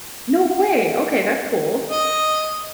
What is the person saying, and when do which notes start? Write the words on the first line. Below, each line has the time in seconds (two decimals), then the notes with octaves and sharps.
No way, okay, that's cool.
1.91 D#5